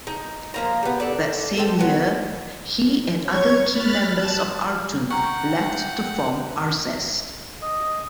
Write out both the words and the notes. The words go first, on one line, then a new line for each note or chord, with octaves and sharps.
That same year, he and other key members of Artoon left to form Arzest.
D#4
F3 A#3 A#5
G3 B3
A4 D5
A4 C5 G5
F#3 B3
C#5 C#6 G#6
B5 F6 F#6 A6
A5 F#6
F#5 G5 A#5 C#6
D#5